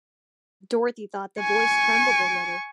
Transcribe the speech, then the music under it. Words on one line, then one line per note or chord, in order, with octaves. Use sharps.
Dorothy thought the Voice trembled a little.
G#5 C#6